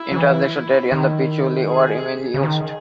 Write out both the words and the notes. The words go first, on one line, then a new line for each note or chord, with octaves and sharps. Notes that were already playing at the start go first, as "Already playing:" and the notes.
In transactions tari and pichuli were mainly used.
Already playing: E4
F#3
E3
D#3
G#4
C#3
D#3 G#4